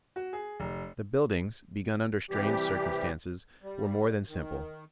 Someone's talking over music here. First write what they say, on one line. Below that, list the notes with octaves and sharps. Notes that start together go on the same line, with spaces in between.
The buildings, begun under straitened circumstances, were more than simple.
F#4
G#4
F1
C3 E3 G3 G4
G3
D#3